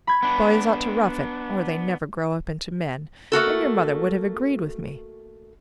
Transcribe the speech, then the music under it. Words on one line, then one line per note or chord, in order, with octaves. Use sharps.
Boys ought to rough it, or they never grow up into men, and your mother would have agreed with me.
B5 G#6
B3 D4
A3 A#3 F#4 A4